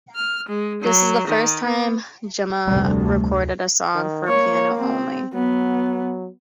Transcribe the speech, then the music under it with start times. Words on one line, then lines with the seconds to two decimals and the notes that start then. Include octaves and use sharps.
This is the first time Gemma recorded a song for piano only.
0.14 F6
0.48 G#3
0.81 F#3
1.27 D#3
1.62 B3
2.68 F1 D2 C3 G3
3.95 D#3
4.29 A#3 C#5
4.79 C4
5.34 F#3 B3